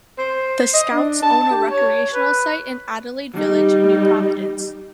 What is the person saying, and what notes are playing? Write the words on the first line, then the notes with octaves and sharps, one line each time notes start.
The Scouts own a recreational site in Adelaide Village, New Providence.
C5
D#5
D4
A5
G4
C#5
B4
G3 D#4